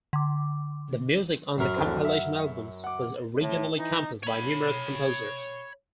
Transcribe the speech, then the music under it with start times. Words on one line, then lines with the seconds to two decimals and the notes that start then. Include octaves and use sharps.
The music on the compilation albums was originally composed by numerous composers.
0.13 D3 D6
1.58 F#2 A#4 B5
1.76 D1 D3 C4
2.05 E5 F#5
2.84 F#5 D6
3.41 A2
3.78 E3 D#4
4.23 C#5 B5